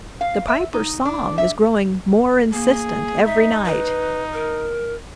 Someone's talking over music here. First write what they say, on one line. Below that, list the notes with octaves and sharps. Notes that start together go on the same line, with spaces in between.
The Piper's song is growing more insistent every night.
F5
E5
D#4
D4
E5
A#3 G#4
D#4 E5
B4
A#4